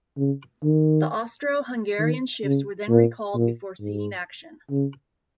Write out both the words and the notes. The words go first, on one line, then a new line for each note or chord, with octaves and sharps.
The Austro-Hungarian ships were then recalled before seeing action.
C#3
D#3
D#3
C#3
A#2
A#2
G#2
C#3